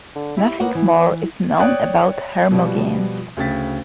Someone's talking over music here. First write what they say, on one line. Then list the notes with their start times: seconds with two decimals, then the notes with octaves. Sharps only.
Nothing more is known about Hermogenes.
0.15 D3
0.37 E4 G4
0.60 A#3 B3 C#5 F#5
0.75 E3
1.60 C#5 D5 G5 D#6 F#6
2.51 B2 F3 G3 B3
3.37 D2 C#3 G5 A6 B6